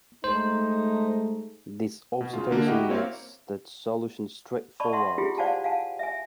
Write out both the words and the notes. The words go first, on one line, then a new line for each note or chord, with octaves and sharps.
This observation makes the solution straightforward.
G#3 A3 D#4 C5
B2
C#3 F4
D3 A#3
E4 F#4 G4 D#5 F#5
A#3 C4 C#5 E5 F5
D5 A5 B5 C#6
E5 F#5 A5 C6
E4 F4 G4 G#4
C5 D5 F5 F#5 G#5 A5
F5 F#5 G#5 A5
E5 G#5